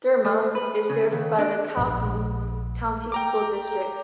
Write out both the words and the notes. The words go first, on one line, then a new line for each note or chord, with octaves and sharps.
Derma is served by the Calhoun County School District.
A3
B4
C#3
D#2
D4
A#1
G5 A#5 D6